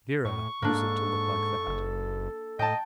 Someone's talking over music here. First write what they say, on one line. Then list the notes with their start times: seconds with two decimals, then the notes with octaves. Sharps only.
Vera usedn't to look like that.
0.25 A2 C#6
0.62 G#2 A#3 D4 A4
1.67 F#1
2.59 A2 D#5 G5 A5